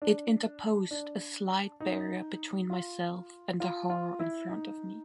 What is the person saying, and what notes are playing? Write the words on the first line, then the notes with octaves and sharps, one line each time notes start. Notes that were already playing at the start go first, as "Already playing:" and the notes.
It interposed a slight barrier between myself and the horror in front of me.
D4
D4
D#4
F4
F4
F4
E4
D#4